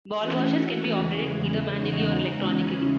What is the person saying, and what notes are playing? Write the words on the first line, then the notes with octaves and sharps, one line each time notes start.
Ball washers can be operated either manually or electronically.
E3 A3 C#4 F#4
E2 C#3 E3 G#3
E2 C#3 G#3 D#4 F#4
C#3 E3 G#3 C#4